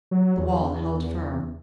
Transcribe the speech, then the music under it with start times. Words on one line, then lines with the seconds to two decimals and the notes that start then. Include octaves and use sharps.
The wall held firm.
0.11 F#3
0.38 E2